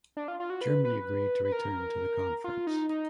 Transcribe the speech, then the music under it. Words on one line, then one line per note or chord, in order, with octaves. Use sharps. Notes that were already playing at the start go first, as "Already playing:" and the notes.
Germany agreed to return to the conference.
D4
F4
F4
F#4
B4
B4
B4
A#4
F4
D#4
D#4